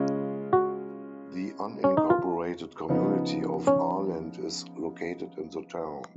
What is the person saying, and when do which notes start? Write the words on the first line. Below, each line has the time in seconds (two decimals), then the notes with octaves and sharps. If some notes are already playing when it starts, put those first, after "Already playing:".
The unincorporated community of Arland is located in the town.
Already playing: C#3 G#3 C#4 F4
0.53 F#4
1.84 C#4
1.97 D#4
2.10 F4
2.89 C#3 F3 B3 D#4
3.67 C#4